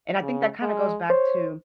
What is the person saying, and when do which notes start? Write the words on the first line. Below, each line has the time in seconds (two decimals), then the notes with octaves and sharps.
and, I think that, kinda goes back to
0.22 C#3
0.62 G#3
1.10 C5 C#5